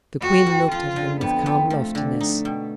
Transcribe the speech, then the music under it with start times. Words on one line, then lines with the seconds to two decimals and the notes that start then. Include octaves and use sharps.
The queen looked at him with calm loftiness.
0.22 F2 F#4
0.46 F2
0.72 F3 F4
0.96 D3
1.20 F2 B3
1.46 F2
1.70 F3 A3
1.95 D3
2.20 A3 D#4
2.45 B2